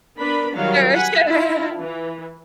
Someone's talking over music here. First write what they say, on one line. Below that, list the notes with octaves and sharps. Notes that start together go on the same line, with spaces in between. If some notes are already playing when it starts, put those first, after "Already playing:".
Sure, sure.
B3 D4 A#4 B4 B5
D#3 F#3 G3 F4 F#4 F5
F#5 G#5 B5
E4 F4
E3